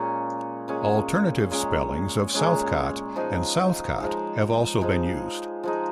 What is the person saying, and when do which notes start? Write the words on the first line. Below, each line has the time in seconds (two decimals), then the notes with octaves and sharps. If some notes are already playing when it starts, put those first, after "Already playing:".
Alternative spellings of "Southcot" and "Southcott" have also been used.
Already playing: A#2 G#3 C#4
0.68 A#2 G#3 C#4
1.51 A#2 G#3 C#4
2.33 A#2 G#3 C#4
3.16 F3 G#3 D#4
3.98 F3 G#3 D#4
4.81 F3 G#3 D#4
5.63 F3 G#3 D#4